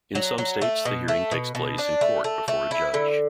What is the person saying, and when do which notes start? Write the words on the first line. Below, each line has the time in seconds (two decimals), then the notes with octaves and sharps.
In some states, the hearing takes place in court before a judge.
0.15 F#3
0.38 F#3
0.62 A3
0.85 B2
1.08 A3
1.31 B2
1.55 B2
1.78 D4
2.01 A3
2.24 A3
2.48 A3
2.71 E4
2.94 D3